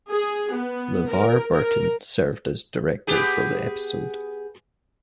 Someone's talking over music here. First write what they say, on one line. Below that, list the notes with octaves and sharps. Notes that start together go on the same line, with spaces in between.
LeVar Burton served as director for the episode.
G#4
B3
A#4
A#4
B3 G4 G#4